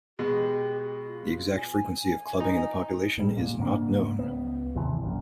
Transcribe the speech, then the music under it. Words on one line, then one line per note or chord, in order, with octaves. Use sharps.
The exact frequency of clubbing in the population is not known.
B2 G#3 G4
F4
G#5
D#4
A2 G3 G#3
A#2
G#2 C#3 A#3 D4
C#2 B3
G#1 D#2 C3 E3
E1 A#1 F#2